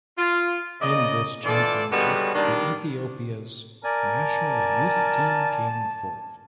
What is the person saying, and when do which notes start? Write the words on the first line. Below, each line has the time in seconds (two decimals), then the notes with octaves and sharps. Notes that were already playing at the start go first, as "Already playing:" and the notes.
In this championship, the Ethiopia's National Youth team came fourth.
0.18 F4
0.81 C#3 A#3 D5 D#5
1.44 D3 E3 F4 A4 D5
1.92 D3 G3 G#3 B3 C#4 F#4
2.35 D#3 G3 A#3 D4
3.84 A#4 D5 G#5 A5